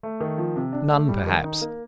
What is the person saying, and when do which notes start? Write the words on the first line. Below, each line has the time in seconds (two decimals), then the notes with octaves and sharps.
None, perhaps!
0.03 A3
0.21 D#3
0.38 F3
0.56 C3
0.73 D4
0.90 A3
1.09 G3
1.27 D#3
1.44 D#4
1.61 A#3